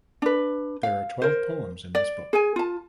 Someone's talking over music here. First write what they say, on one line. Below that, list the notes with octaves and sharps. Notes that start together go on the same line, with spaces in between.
There are twelve poems in this book.
D4 B4
F5
A#4 C5
D5
G#4 G#5
F4 A5